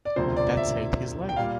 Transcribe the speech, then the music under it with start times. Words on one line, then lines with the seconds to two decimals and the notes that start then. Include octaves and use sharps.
That saved his life.
0.05 D5
0.16 E1 D2 C3 F3 C5
0.37 D5
0.57 E5
1.29 G5
1.36 A#2 G3 F5